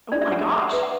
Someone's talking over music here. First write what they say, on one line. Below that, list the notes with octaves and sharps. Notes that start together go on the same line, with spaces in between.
Oh my gosh.
D4 D5
E5
D4 F#5
G#4 E5
F#5
B4 E5
F#5